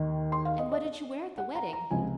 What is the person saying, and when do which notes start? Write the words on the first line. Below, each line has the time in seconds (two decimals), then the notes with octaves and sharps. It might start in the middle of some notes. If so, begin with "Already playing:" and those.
"And what did you wear at the wedding?"
Already playing: D#2 D#3
0.32 C6
0.45 F5
0.59 D#5
0.72 D#5
0.85 D#5
1.38 F#5
1.55 A#5
1.73 A#5
1.91 C#2 C3 F3 G#5